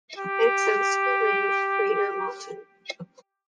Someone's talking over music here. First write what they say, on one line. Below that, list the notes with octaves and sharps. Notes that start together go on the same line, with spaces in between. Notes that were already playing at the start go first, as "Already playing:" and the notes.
It extends to the rim of the crater Moulton.
G4